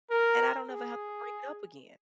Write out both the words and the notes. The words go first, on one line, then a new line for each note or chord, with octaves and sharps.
and I don't ever have to bring it up again."
A#4
G#4